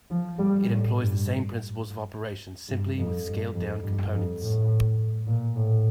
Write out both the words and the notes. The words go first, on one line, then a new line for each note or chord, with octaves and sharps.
It employs the same principles of operation, simply with scaled down components.
F3
G3
A2
G2
G2
F2
G2
F2
G2
F2
A2
A#2
A2